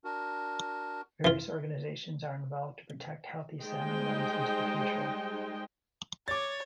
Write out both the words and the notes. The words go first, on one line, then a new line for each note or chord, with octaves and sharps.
Various organizations are involved to protect healthy salmon runs into the future.
D4 F#4 A#4
E3 F4
G3 G#3 D#4 C5 D#5 G5
C#5 D6 A6